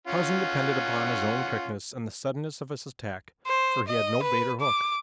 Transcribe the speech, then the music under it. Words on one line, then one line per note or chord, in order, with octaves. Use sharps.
Tarzan depended upon his own quickness and the suddenness of his attack, for he had no bait or hook.
C#4 F4 F#5
C5
D#5
B4
D6